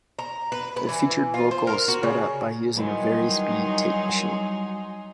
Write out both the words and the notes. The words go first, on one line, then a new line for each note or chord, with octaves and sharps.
It featured vocals sped up by using a vari-speed tape machine.
A#5
B4
B4
E3
F4
C5
A#4
F#4
C#3
D#3 F#3 G3 D#4 E4 B4 G#5 C6